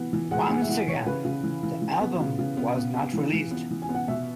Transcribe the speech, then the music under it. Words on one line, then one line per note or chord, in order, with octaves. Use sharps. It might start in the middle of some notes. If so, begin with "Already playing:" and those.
Once again, the album was not released.
Already playing: E3 B3
E3
G#3 F#5
B3 G#5
E5
E3 F#5
E3 C#5
C#3 B4
C#3
E3
E3
E3
B3
C#3
C#3
B3
B3
B3
E3
E3
B3
E3
G#5
B3
F#5
B2 E5